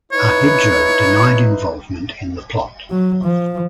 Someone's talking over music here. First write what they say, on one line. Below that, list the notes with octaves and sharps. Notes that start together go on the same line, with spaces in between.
Ahidjo denied involvement in the plot.
D#4 E4 B4 C#5
F#3
F3